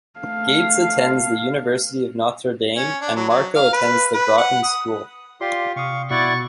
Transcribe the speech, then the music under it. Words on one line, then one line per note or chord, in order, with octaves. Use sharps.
Gates attends the University of Notre Dame, and Marco attends the Groton School.
A3 F5
C#4
D4
F#3
F#3
F5
B4
B4
F#5
D#6
F4 G4 D5 F5 C6 D6
C3 F5 C#6 D#6
B2 E4 D5 F#5 C#6 A6